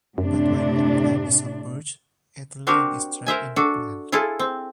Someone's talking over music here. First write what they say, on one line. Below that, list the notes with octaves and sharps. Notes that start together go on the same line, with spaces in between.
But when the plant is submerged ethylene is trapped in the plant.
F#2 A2 C3 D4
C4 D4 F#4 G4 A#4
A#4 C5 E5 G#5
D4 F#4 A4
E4 F4 G#4 A4
C4